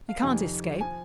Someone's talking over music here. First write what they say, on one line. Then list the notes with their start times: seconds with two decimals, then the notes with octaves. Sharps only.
You can't escape.
0.09 F5
0.23 F2 C3 D#3 G#5
0.81 F3 G#5